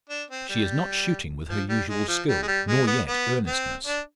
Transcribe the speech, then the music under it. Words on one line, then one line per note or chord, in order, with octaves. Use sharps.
She is not shooting with her usual skill, nor yet earnestness.
D4
C4
G3
F3
G3
G#3
F3
G3
G#3
G3
G#3
B3
B3
C4
D4